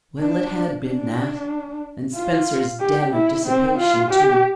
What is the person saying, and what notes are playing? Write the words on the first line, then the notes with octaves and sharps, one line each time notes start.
Well, it had been that, and Spencer's den of dissipation too!
D4
D4
F4
G4
E4
C4
F4
G4